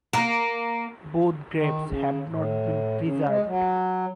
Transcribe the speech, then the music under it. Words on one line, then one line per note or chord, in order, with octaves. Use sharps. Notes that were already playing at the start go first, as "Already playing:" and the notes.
Both graves have not been preserved.
A#3
D#3
C#3
A2
C#3
G#3
F#3